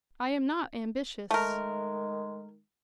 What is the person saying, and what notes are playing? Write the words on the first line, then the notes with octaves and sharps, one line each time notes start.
"I am not ambitious."
D#3 G#3 A3 A#4